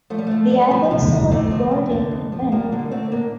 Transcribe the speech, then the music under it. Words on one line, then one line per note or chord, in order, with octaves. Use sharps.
The album sold gold in Finland.
F3 A3
G3
F3 A3
G2
F3
C3
D2
C3 A3 C4
F3
C3
D3
F2
F3
F3 G3 A#3
D3 G3 A#3
D3 A3 C4
A2 A#3 D4